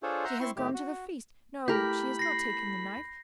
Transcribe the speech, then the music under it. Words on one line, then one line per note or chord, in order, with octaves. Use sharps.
She has gone to the feast.... No, she has not taken the knife....
D4 F4 G#4 A4 C5 C#5
E5 F#5 A#5 C6 G6
C4 E4 C6 C#6
A2 D#3 A3 G4
F#4
A3 E4 G4 A4 A#4 B5 G6
A#6 C7